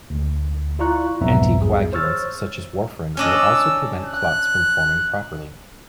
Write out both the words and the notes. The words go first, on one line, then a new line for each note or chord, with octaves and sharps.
Anticoagulants such as warfarin will also prevent clots from forming properly.
D2
E4 F4 D5 A#5 C#6 F#6
B1 F2 G#2 B3 E5 A#5
G#4
C5 C#5 C#6 E6 F6 A6
C#4 D4 D#5 E6
F#6